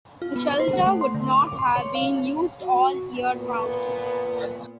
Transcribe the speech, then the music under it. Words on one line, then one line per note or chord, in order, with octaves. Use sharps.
The shelter would not have been used all year round.
F4
B3
C5
F#5
A3
C6
D3
F7
D6
C6
C#5
F5
F#4
A#2 B3